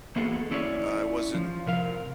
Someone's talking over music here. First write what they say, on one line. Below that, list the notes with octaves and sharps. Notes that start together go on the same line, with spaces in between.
I wasn't
E3 A#3 B3 F#4 G#4 A4
C#4 E4 G#4 C#5 D5
F3
C3 A#4 F5